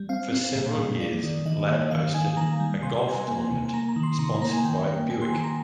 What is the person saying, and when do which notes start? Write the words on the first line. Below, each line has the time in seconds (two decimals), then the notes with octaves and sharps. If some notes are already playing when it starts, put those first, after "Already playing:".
For several years, Ladd hosted a golf tournament sponsored by Buick.
Already playing: G3
0.09 C4 F5
0.32 C4
0.55 A#2 G#4
0.78 A#2
1.00 A#3 D5
1.23 D#3
1.46 D#3 D#5
1.69 A#3
1.91 D#3 F5
2.14 D#3 G#5
2.37 D#3 A#5
2.60 G3
2.83 C3 C6
2.98 C6
3.06 G3 G#5
3.13 A#5
3.28 A#3 G#5
3.51 C3
3.65 G#5
3.73 A#3 A#5
3.89 A#5
3.96 D#3
4.03 C6
4.19 C3 A#5
4.42 A#3 A#5
4.53 G#5
4.65 D#3 G5
4.87 A#3
5.10 A#3 G#5
5.21 C6
5.33 D#3 A#5
5.44 A#5